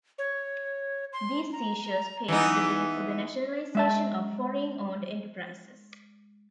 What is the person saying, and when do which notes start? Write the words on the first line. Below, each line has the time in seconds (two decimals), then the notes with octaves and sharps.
These seizures paved the way for the nationalization of foreign-owned enterprises.
0.18 C#5
1.13 C6
1.53 A#5
1.84 A#5
2.28 E3 B3 D#4
3.75 G#3 E5 A5